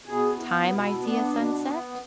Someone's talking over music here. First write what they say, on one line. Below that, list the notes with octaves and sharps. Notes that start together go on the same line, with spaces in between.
time I see a sunset.
B2 G#4
B3 E4
B2 E4
B3 D4
B2
B3